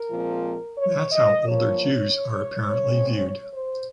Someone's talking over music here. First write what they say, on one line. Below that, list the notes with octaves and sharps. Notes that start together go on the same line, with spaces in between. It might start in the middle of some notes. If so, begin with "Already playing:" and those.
That’s how older Jews are apparently viewed.
Already playing: A#4
A#2 F3 G#3 C4
C#5
D#5
A#2 F3 A#3 C#5
C#3 G#3 C4
C5